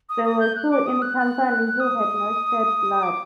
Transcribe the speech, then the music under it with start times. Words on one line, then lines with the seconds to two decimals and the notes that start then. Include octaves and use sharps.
There were two in company who had not shed blood.
0.09 D#6
0.25 D#6
0.40 G6
0.56 F#6
0.71 D6
0.87 D#6
1.02 F#6
1.18 F#6
1.80 D#6
3.03 D6